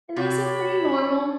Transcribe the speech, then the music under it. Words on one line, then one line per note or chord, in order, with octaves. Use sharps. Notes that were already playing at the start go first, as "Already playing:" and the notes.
and they seemed pretty normal,
C3 C#5 D5 B5